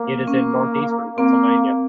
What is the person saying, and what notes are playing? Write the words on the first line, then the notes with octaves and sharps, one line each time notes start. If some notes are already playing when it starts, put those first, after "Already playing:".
It is in northeastern Pennsylvania.
Already playing: A#3
C#4
A#3 C4